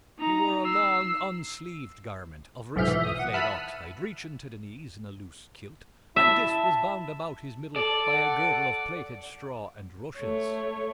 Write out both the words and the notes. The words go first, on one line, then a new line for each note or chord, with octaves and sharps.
He wore a long unsleeved garment of recently flayed oxhide reaching to the knees in a loose kilt and this was bound about his middle by a girdle of plaited straw and rushes.
D#4 A#5
E6 C7
B1 G#2 F3 E5 F6 G6
E3 E5
D#6
F#5
E5 A5 B5 F6 B6 D#7
E4 E5 A5
A4 D5
F#5
A3 C#5